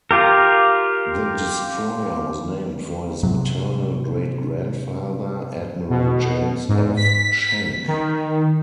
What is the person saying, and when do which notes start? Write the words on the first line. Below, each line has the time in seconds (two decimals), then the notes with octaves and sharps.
The destroyer was named for his maternal great-grandfather, Admiral James F. Schenck.
0.11 F4 G4 A#4
3.23 G#2 C3 F#3
5.90 B2
6.69 G#2
6.97 B6
7.88 D#3